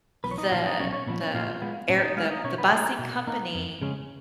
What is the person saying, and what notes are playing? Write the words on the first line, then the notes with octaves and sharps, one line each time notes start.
The the air the the busing company
B1 B3 B4
C#5
D#4 D#5
A#2 F3 F4 F5
D#4 D#5
B1 C#4 C#5
C#4 C#5
A#2 F3 B3 B4
C#4 C#5
A#2 F4 F5
G#3 B3
A#2 C#4 C#5
D#4 D#5
G#3 B3 F4 F5
D#4 D#5
B2 C#4 C#5
B3 B4
G#3 A#3 D#4 G#4
B2
A#3 D#4
F2
C#3 G#3 C#4